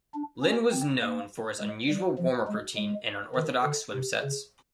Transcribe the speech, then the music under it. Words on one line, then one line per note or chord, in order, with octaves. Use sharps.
Linn was known for his unusual warm-up routine and unorthodox swim sets.
D4
C#4
C4
A#3
G#3
G3
F3
G#3
G#3
D#3
D3
C3
C#3